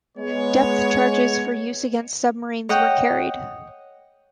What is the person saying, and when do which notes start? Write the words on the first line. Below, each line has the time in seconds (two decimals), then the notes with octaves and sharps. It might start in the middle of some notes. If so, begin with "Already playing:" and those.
Depth charges for use against submarines were carried.
0.18 G#3 B3 C#5
2.69 C#5 D#5 F#5 G5